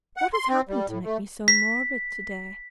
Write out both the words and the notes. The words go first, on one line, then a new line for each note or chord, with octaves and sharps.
What has happened to make me so morbid to-day?
F#5
C6
C4
G3
A2
A3
B6